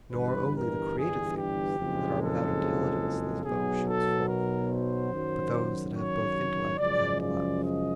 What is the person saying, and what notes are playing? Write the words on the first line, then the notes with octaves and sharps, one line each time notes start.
Nor only the created things that are Without intelligence this bow shoots forth, But those that have both intellect and love.
G1 G2 E3 G3 B4
A#4
G#4
G4
F#1 F2 C#3 F3 G#3
A4
B1 B2 F#3 G#4
A4
A#4
C5
F#2 D#3 F#3
C#5
F#2 C#3 F3 G#3 D5
D5
D#5